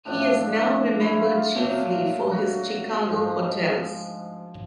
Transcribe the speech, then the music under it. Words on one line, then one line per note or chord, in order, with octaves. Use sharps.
He is now remembered chiefly for his Chicago hotels.
A2 F3 A3 D4
D4
D4
E4
F4
F4
A#2 F#3 A3
F#4
G#2 F3 G#3